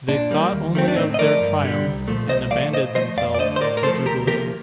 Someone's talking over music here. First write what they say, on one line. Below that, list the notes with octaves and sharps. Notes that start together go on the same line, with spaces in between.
They thought only of their triumph, and abandoned themselves to jubilee.
A#2 D4
G3 A#3
D#2
D#3 A3 C4
D4
A2 C4 D#4
D#5
F3 A3 A#4 D5
G2
D3 G3
C2
A#2 F3 A3
C2 C5 D#5
A#2 F3 A3 D5 F5
A2 C5 D#5
F3 A3 C5 D#5
F2 D5 F5
D5
D3 A3 C5 D#5
C5
A2 A#4 D5
A#4
F3 A3 A4 C5
D2 G4 A#4
C3 F3 A#3 G4 A#4